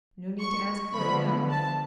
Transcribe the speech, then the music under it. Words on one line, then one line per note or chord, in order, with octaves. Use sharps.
No need to ask for it now!
C#6
D3 F3 B3 B5
A5